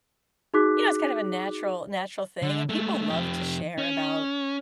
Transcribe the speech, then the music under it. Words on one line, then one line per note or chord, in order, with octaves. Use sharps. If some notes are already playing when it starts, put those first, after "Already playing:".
you know, it's kind of a natural natural thing, and people love to share about
D#4 F#4 G#4 D6 F#6 B6
D3
G#3 A3
F2 G4
C#4